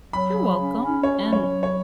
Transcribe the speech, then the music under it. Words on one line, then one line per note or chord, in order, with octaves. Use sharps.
you're welcome, and
F#3 B5
C#3
C#4
C#4
C#4 C#5
F#3
C#5
F#3
C#5